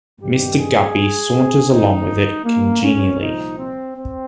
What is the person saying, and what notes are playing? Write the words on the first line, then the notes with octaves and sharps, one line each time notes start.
Mr. Guppy saunters along with it congenially.
G2 G4
D#3
G#4
G2 D#3 D#4
A#3
C#4
C2 A#2 F3 D#4
C4
C4